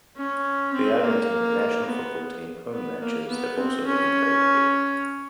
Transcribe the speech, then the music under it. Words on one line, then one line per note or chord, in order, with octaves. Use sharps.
The Argentina national football team home matches have also been played here.
C#4
C4
A#3
B3
B3
A#3
B3
C4
C#4